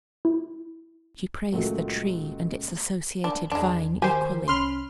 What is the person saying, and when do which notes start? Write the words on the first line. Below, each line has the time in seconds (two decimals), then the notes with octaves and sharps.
She praised the tree and its associated vine, equally.
0.25 E4
1.52 C#2 A#2 F#3 A3 A#3
3.24 D4
3.52 E2 G#3 D4
4.02 D#3 G4 A#4 C5 G#5
4.48 C2 C#4 B5 C6 F6